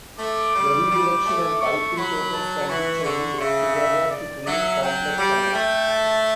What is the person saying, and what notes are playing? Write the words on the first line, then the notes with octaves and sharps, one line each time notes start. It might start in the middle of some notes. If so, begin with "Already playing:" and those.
The redirection and piping tokens can be chained together to create complex commands.
A3 D6
G3
G3
A3
A3 C#6
F#3 B5
A5
E3 C#6
D3 C#6
C#3 E5
E5
D5
F#3 E5
F#3 G5
G3
A3
A5